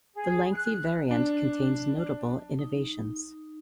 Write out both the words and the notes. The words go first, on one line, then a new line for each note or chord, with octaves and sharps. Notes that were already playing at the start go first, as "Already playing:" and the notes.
The lengthy variant contains notable innovations.
G#4
F#6
D4
D#4